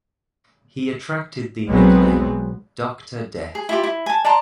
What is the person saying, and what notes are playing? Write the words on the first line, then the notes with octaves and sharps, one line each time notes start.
He attracted the nickname "Doctor Death".
B1 F#3 G#3 B3 C4
G#4
E4 F4 G4
E4
G#5 A5
D5 A5 A#5 C6